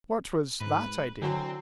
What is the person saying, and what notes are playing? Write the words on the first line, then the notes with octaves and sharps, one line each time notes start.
"What was that idea?"
G#2 B4
D3 F#3 C4 D4 E4 F#4